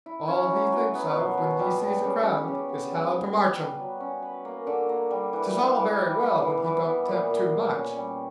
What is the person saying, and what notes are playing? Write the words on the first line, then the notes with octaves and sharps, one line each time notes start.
All he thinks of, when he sees a crowd, is how to march 'em. 'Tis all very well when he don't 'tempt too much.
E4
C#4
F#3
F#3
B3
B2
B2
G3
G3
C#3
G4
C#3
B3
G3
G3
G3
B4
F#3
C#4
B4
A#3
D3
A#3
G3
E3
G3
E3
G3
B3
E3
E3
B3
A#2
A#2
A#2
C#4
G3